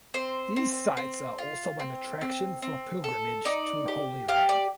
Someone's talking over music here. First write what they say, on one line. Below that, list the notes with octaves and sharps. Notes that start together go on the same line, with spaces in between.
These sites are also an attraction for pilgrimage to Holy Land.
C4 C5
C4
C4
F4
C4
C4
C4
A4
D#4 D5
G4
G4 F5
D5